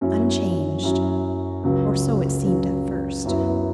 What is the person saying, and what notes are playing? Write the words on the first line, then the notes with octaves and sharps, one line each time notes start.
Unchanged--or so it seemed at first.
F#2 F#3 C#4 E4
F#2 F#3 C#4 E4
C#2 C#3 F#3
C#2 C#3 F#3
F#2 F#3 B3 E4